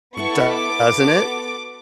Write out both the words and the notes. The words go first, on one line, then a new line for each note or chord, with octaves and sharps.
Doesn't it?
B3 E4 A4 C#6
D6
B3 F#4 A4